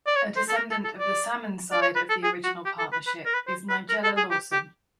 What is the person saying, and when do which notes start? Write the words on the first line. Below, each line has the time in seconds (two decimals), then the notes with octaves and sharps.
A descendant of the Salmon side of the original partnership is Nigella Lawson.
0.07 D5
0.16 C#5
0.36 C5
0.49 A4
0.57 A#4
0.71 A4
0.85 A4
0.99 D5
1.72 D5
1.82 C#5
1.96 B4
2.10 A4
2.23 G#4
2.44 F#4
2.66 G4
2.79 A4
2.92 B4
3.07 B4
3.26 A#4
3.34 B4
3.48 C5
3.70 B4
3.89 A#4
4.04 A4
4.17 G#4
4.31 G4
4.52 G4